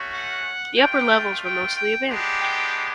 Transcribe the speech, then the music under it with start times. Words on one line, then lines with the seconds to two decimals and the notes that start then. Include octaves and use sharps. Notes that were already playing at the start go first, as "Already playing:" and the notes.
The upper levels were mostly abandoned.
Already playing: A3 C#4 F#4
0.14 F#5
0.78 A3 D4 F4 G5
1.44 G5
1.76 G5
2.08 G#3 B3 D4 G4
2.41 G5